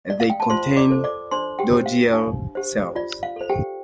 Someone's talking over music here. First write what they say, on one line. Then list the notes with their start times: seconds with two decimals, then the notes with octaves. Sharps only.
They contain Dogiel cells.
0.10 D5
0.20 F5
0.30 G5
0.40 A5
0.50 F4 C5 C6
0.77 D5 D6
0.90 A4 C5
1.04 D5 D6
1.31 D4 C5 C6
1.59 G4 G5
1.73 G4 C5
1.86 F5
2.13 D4
2.55 G4 C5
2.95 F4 D5
3.23 F5
3.36 A4 C5
3.50 G4 G5